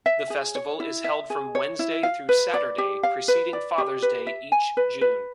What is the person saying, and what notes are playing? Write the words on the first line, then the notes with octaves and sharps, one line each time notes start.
The festival is held from Wednesday through Saturday preceding Father's Day each June.
E5
G#4
C#5
E4
E5
G#4
C#5
E4
F5
B4
D5
G4
F5
B4
D5
G4
B4
E5
G#5
B4
B4